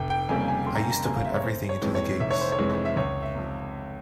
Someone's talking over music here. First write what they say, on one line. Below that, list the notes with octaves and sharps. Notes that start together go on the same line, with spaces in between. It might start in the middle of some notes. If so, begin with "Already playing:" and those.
I used to put everything into the gigs.
Already playing: F1 G5
G5
F2 C#3 G3 A#3 G#5
G#5
F1 C6
A#5
G#5
A#5
F2 C#3 G3 A#3 G#5
F5
E5
C#5
F1 C5
C#5
F2 E3 G#3
C#5
F1 E5
C#5
C5
C#5
F2 E3 G#3
E5
C#2 C#5
E5
C3 F3